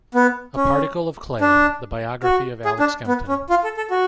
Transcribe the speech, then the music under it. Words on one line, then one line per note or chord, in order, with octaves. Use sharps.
"A Particle of Clay: the Biography of Alec Skempton".
B3
C#4
D4
F#4
G#4
D4
B3
C#4
F4
A4
A4
F#4